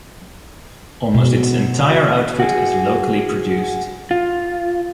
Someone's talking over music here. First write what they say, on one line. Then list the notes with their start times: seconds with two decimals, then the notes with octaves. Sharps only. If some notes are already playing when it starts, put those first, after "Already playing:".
Almost its entire output is locally produced.
1.15 B2
2.40 F#4 G#4
4.11 F4